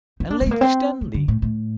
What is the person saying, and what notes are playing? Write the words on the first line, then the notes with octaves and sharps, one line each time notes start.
And Lady Stanley!
D#4
D4
C4
A3
A#3
C4
A3
D3
A2
A2